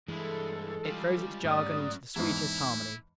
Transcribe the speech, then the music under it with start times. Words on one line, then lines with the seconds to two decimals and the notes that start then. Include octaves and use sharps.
It throws its jargon into the sweetest harmony.
0.08 G2 E3 G#3 E4 A4
0.85 G3 G#3 F4
1.44 G#2 F#3 A3 C#4 D5 D#6
2.16 E2 G#2 E4